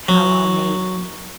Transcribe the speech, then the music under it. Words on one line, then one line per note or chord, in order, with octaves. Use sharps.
how I'll make
F#3